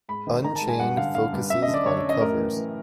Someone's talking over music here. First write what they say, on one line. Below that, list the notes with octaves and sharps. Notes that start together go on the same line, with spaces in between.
"Unchained" focuses on covers.
G#2 B5
D#3
D#3 A#5
A5
G#2
G#5
G2 F#5
D3 F5
D3 F5
G2
F#2 E5
D#5
D3
D5
D3 C#5
D5
F#2
D#5
A2 A#4
E3
E3